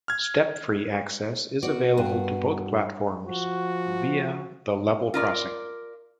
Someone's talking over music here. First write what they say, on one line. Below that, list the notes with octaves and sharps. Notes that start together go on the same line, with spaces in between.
Step-free access is available to both platforms via the level crossing.
F6 G#6
B3 F#4 D5
G2
F3 F#4
F4 A#4 D5